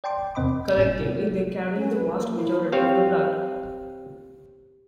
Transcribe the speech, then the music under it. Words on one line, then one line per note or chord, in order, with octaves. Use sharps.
Collectively, they carry the vast majority of the blood.
D5 G5 A5 C6 D6
E2 C3 C4 D#5 B5 D6
G1 A2 C#4 G#4 E7
C3
C#4
B4
A#3
E4
C4 G4 C#5 F5